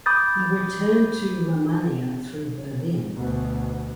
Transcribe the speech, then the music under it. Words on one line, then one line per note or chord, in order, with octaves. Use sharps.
He returned to Romania through Berlin.
B5 D6 D#6 G6 A6
D2 B2